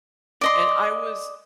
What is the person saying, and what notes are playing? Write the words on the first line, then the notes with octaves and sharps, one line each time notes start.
And I was
D5 D#5 C6